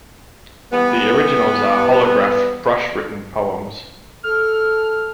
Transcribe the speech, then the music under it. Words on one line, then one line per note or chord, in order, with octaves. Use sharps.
The originals are holograph brush-written poems.
E3 G3 B3
A4 F6